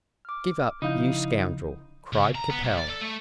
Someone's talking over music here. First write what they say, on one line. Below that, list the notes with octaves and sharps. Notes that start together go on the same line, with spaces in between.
"Give up, you scoundrel!" cried Capel.
D6 F6
C#3 F3 D#4 E4 F5 G6
C#3
A#5
B3
B1
D5
A4
A3